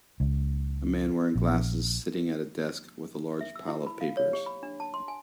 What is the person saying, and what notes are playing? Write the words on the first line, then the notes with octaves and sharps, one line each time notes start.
A man wearing glasses sitting at a desk with a large pile of papers.
C#2
A#1
E5
E6
E4
B5
F5
C#5
G4
B5
D4
A5
C6
G#5